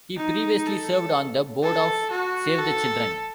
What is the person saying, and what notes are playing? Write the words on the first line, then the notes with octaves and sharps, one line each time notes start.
He previously served on the board of Save the Children.
D#4
A4
A4
F#4
A4